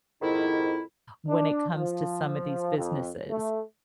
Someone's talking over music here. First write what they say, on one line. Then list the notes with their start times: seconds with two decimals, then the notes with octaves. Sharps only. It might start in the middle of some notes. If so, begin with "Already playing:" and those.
when it comes to some of these businesses.
0.22 F2 G#2 D#3 E4
1.28 D4
1.72 F3
2.77 F2
3.29 A3